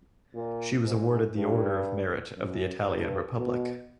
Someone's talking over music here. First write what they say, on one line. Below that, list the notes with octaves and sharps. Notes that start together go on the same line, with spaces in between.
She was awarded the Order of Merit of the Italian Republic.
A#2
G#2
G2
F#2
G2
B2